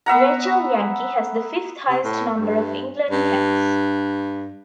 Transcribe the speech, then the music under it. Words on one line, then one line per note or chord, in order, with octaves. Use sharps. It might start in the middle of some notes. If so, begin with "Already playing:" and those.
Rachel Yankey has the fifth highest number of England caps.
B3 E5 F#5 A#5
C3
A2
G2
G2